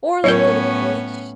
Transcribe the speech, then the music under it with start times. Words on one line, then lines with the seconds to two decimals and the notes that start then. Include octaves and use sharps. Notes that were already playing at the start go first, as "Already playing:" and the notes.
or, like, go to the beach.
0.24 A2 F#3 B3 C#4 F4 A#4 C#5